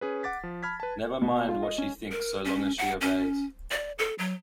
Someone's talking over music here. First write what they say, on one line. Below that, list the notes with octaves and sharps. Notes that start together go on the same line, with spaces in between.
Never mind what she thinks so long as she obeys.
C#4 G#4 B4
F#5 D6 A6 B6
F3
A5 B5 F6 G#6 B6
B4 A5
B2
F4
D#5
C#4
A#4
C#4
F#5
C#4
D5
A4
F#3